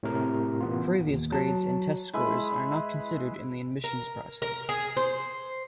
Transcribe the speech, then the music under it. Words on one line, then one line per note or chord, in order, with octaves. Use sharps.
Previous grades and test scores are not considered in the admissions process.
A2 C3 A#4
A1 B3 F4
D#2
F#3 A5
G#3 E4 B4
A#4
A#4
G#4
C5